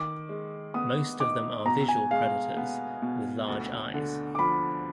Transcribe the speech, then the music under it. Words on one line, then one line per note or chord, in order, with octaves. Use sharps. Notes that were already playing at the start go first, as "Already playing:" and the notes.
Most of them are visual predators with large eyes.
Already playing: D#3 D6
G#3
B3 D#6
D#4 D6
B2 A#5
G#5
G#3 F5
B3
B2
D2
D3
D6
F3 B5